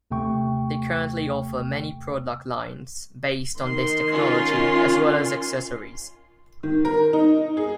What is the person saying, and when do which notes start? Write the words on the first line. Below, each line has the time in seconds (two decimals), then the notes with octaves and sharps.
They currently offer many product lines based on this technology as well as accessories.
0.11 D#2 C3 A3 G5 C#6
3.60 D#3 C6
4.12 C#4 F4
6.63 D#3
6.85 A#4
7.13 D#4
7.57 G#4